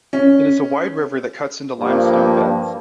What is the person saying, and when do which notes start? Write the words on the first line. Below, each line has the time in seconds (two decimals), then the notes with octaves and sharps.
It is a wide river that cuts into limestone beds.
0.13 C#4
1.80 G2 F3 A#3